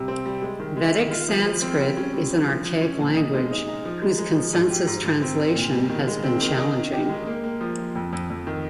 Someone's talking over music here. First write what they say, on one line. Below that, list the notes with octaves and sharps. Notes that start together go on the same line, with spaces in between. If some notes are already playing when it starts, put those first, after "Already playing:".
Vedic Sanskrit is an archaic language, whose consensus translation has been challenging.
Already playing: C3 G3
C4
G3
G#3
D#3
G#3
D#3
F4
F3
F3
C4
G3
C#4
G3
G3
F3
F3
C#4
A#2
D#4
G#3
D#4
D#4
F3
G#3
G#3
F3
G#2
G4
G#2
G#2
C4
C4
A#2
G3
D#3
G#3
C4
D#3
D#4
D#4
G4
G#3
A#3
A#3
F3
F3
F2
F2
F2
D#3